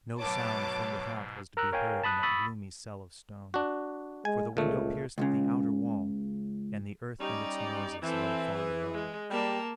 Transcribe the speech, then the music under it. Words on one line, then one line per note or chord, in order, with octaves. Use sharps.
No sound from without was to be heard in that gloomy cell of stone, for the window pierced the outer wall, and the earth and its noises lay far below.
G#2 B2 F#3 A3 B3 C#5 A5 D6
A#4 A#5 E6 F#6
A#4 C#5 F5 G5 G#5
A5 B5 D#6 F#6
B5 C#6 D#6 E6 A6
D4 F#4
G#3 G#5
C#2 A#2 A3
C#2 C#3
G3 C#4 D#4 G4 D5
E3 C4 A4
G#4
G#3
G3 A#3 A5